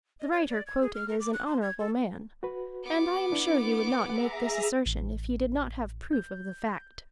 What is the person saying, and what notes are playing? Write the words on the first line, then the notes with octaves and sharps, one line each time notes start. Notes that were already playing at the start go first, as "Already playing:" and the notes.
The writer quoted is an honorable man, and I am sure he would not make this assertion if he did not have proof of the fact.
D#5
C#5
D5
G#6
G#4
F6
A#4
D6
F#6
C6
G#6
A4
F#4 B4
B3 D6
D4 E4
G#4 E5 F#5 A#5
A1
G6